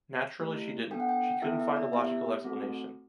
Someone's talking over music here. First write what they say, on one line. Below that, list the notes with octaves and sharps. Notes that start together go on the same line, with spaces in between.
Naturally she didn’t - she couldn’t find a logical explanation.
A3 E4 G4
B3 D4 A4 G5
F#5
G5
G5
B3 E4 A4 E5
E5
D5
B3 E4 G4 E5
A3 C4 F#4 A4